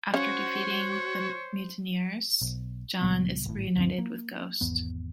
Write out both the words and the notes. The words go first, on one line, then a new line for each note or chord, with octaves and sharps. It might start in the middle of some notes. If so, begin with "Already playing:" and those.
After defeating the mutineers, Jon is reunited with Ghost.
C#4 F#4 C5 C#5 F5
B1
C#2 A#2 G3 B3
G#1 A2
D2 G2 C4
A#3
G#1 E2 B3